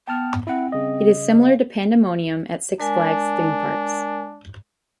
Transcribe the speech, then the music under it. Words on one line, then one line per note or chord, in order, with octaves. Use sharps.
It is similar to Pandemonium at Six Flags theme parks.
B3 G5 A5 F6
C4 E4 F#5
C#3 G3 D#5
F5
G#3 D4 A#4 G#5